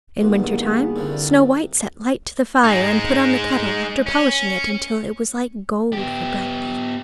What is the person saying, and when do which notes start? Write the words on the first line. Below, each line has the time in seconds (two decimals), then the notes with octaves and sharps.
In winter-time Snow-White set light to the fire, and put on the kettle, after polishing it until it was like gold for brightness.
0.21 C2 G2 D#3 A#3 B3 G#4
0.96 C2 D3 F3
2.64 G#3 D#4
4.06 C#4
5.93 B3 G4